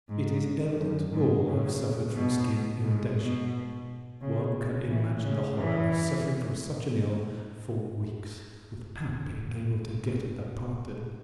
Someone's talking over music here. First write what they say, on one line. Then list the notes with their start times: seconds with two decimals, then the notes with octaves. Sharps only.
It is evident all have suffered from skin irritation--one can imagine the horror of suffering from such an ill for weeks without being able to get at the part that itched.
0.09 G#2
0.77 F#2
1.12 G#2
1.46 C#3
2.15 B2
2.83 G#2
3.17 B2
4.21 C#3
4.89 E3
5.23 C#3
5.58 E3